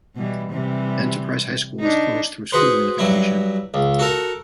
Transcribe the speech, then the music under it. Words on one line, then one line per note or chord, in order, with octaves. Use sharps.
Enterprise High School was closed through school unification.
B2 E3 G3
C3 E3 G3
D4 D#4
F#4 G#4 B4 C5
G2 F#3 E4
C#2
F#4 A4 A#4